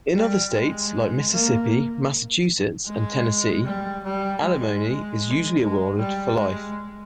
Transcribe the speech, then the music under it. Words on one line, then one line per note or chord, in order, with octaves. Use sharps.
In other states, like Mississippi, Massachusetts and Tennessee, alimony is usually awarded for life.
G3
G#3
A#3
G#3
G3
G3
G#3
G#3
G3
G#3